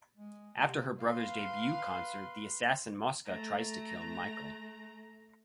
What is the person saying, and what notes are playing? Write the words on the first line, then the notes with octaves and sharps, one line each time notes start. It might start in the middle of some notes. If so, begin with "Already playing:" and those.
After her brother's debut concert, the assassin Mosca tries to kill Michael.
G#3
C3
B4 F5 C6
A3 A#5